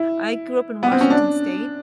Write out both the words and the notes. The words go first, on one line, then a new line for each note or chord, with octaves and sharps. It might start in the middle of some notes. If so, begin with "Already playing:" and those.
I grew up in Washington state.
Already playing: E4
B3
C4
C#4
D4